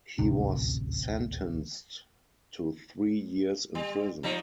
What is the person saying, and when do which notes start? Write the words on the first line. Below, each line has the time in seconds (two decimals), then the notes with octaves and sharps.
He was sentenced to three years in prison.
0.19 D#1 A1 D2 C3
3.75 G3
4.23 F3 G3 D#4